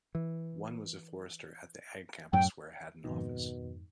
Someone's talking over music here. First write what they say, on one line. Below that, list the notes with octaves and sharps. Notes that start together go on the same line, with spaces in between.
One was a forester at the Ag campus where I had an office.
E3
F#2 A2 F#3 G5
F2 G#2 B2 D#3